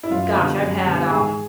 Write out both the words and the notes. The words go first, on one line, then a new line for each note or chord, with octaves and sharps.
gosh, I've had, um
E4
F#2 F4
D3 G3 B3
F#2
D3 G3 B3
G#2 G#4